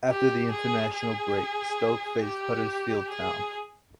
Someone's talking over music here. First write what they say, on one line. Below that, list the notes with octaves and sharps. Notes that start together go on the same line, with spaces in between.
After the international break Stoke faced Huddersfield Town.
G4
G#4
G#4
G4
G#4